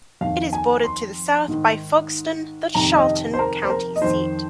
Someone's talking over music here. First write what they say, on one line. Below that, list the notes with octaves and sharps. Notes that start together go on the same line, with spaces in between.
It is bordered to the south by Folkston, the Charlton County seat.
F2 D#3 F5
G#5
C6
G#2 D#3
F2 C3 D#3 A#5
D#5
C5
A#4
C5
A#4
D#5
F2 D#3 C5